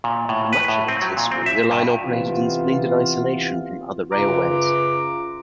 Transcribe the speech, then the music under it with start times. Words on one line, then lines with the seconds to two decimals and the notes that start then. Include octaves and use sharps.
For much of its history, the line operated in splendid isolation from other railways.
0.04 A#2
0.29 A2
0.53 B4
0.68 A2
0.88 C4
1.02 F#3
1.17 A#2
1.32 C4
1.46 E5
1.71 G2
2.02 C3 E3 B3 F4
4.12 F#2 C#3 F4 B4 A#5 D6